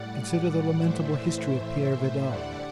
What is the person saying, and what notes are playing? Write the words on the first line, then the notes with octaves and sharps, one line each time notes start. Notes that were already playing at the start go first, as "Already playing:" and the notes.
Consider the lamentable history of Peire Vidal.
Already playing: A2 G3 D5 F#5
A2 E3 A3 C5 E5
D3 G3 D5 F#5